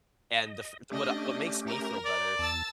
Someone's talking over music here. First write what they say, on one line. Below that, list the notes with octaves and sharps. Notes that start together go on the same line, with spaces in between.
and the f what I what makes me feel better,
D#5
A3 C#4 D4 G4 D#5
A#4
D5
E2 A5 E6 A6